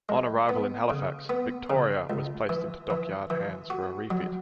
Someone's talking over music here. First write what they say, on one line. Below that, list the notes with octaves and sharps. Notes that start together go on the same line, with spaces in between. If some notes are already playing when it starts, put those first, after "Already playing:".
On arrival in Halifax, "Victoria" was placed into dockyard hands for a refit.
G#3
B3
C#3
B3
C#3
C#2
E3
E3
E3
F#4
F#3